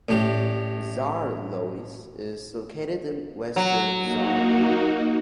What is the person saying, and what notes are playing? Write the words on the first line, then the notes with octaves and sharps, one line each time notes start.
Saarlouis is located in western Saarland.
A1 A2 D4 G4
F#3
A#3 D#4 F#4